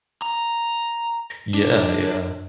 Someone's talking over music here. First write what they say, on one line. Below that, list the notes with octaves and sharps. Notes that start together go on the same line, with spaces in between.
Yeah, yeah.
A#5
D4